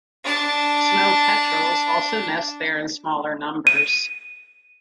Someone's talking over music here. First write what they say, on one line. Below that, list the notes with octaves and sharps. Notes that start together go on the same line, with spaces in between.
Snow petrels also nest there in smaller numbers.
D4 A5
D#7